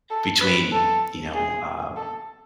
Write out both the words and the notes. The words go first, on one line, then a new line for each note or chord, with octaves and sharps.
between, you know, um,
A4
B4
A4
G#4
A4